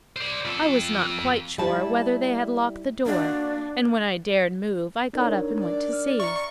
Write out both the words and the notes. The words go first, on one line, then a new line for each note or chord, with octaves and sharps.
I was not quite sure whether they had locked the door; and when I dared move, I got up and went to see.
C5 D5
F2 A4
G3 E4 A5
A#3 D4 F#4
D4 D#4 A#4 C#5
D5
F6
E5 A#5 C#6